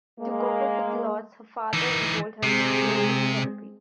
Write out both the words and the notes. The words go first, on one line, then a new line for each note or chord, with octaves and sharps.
To cope with the loss, her father enrolled her in theater therapy.
G#3 A#3
E3 D#4
C3 G#3 C4 G#4